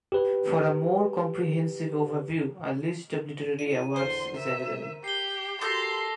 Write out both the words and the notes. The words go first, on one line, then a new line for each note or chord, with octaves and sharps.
For a more comprehensive overview a list of literary awards is available.
G4 B4
E4 F4 D5 D#7
E2 D3 C5 C6
A#4 E5
G4 C7 G7
F#4 G4 A4 A#4 C6 D6 G6 A#6